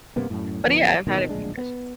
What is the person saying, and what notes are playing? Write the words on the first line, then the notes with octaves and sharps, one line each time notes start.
But, yeah, I've had a few crushes.
G2 C3 A#3 B3
F#2 A2
D1 D2 F3 B3
D1 B2 D#3
D1 A#1 G#3 D4
B3